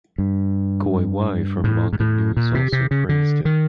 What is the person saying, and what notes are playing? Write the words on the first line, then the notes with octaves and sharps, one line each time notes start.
Koiwai from Manga News also praised it.
G2
A2
G#2
A2
A#2
C3
C3
C#3
D3
D#3